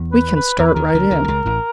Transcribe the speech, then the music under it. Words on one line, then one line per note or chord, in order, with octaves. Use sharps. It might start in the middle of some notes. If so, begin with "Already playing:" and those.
"We can start right in."
Already playing: E2 E3
B4
B4
E2 E3 A#4
B4
D#2 D#3 A#4
D2 D3
D2 D3
D3
C#2 C#3
A1 A2